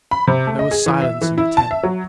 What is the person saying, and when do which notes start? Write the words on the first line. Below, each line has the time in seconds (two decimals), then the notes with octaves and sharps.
There was silence in the tent.
0.11 B5
0.27 C3
0.47 A3
0.59 D#5
0.71 G#4
0.86 E3
1.02 E5
1.22 E3
1.38 E4
1.57 A5
1.71 E5
1.83 F#3